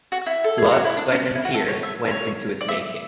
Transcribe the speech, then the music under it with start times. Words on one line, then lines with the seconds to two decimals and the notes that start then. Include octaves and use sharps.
Blood, sweat and tears went into its making.
0.12 F#4
0.26 E4
0.44 A4
0.58 G#4
0.71 F#4
0.85 E4
0.97 D4
1.12 C#4
1.26 D4
1.35 E4
1.45 F#4
1.54 A4
1.68 C#5
1.83 E5
2.11 C#5
2.61 D5
2.69 E5